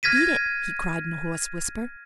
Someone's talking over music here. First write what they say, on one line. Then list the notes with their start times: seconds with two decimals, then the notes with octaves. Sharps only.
"Beat it!" he cried in a hoarse whisper.
0.03 F6 G#6 A#6 B6 D#7